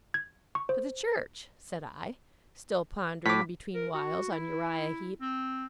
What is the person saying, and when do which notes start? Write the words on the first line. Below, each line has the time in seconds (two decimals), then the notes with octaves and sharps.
'For the Church?' said I, still pondering, between whiles, on Uriah Heep.
0.14 G#6
0.55 C#6
0.69 C5
3.26 A2 D6 B6
3.75 A#4
3.94 F#4
4.31 E4
5.21 C4